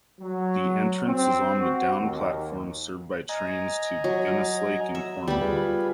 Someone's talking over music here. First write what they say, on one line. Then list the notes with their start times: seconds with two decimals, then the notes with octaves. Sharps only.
The entrance is on the down platform, served by trains to Gunnislake and Cornwall.
0.20 F#3
1.06 C4
1.60 F#4
2.00 D#2
3.29 D#5 G#5 A#5
4.04 F#3
4.95 E5
5.27 D2 G3 B3 B5
5.41 F4 G#4 B4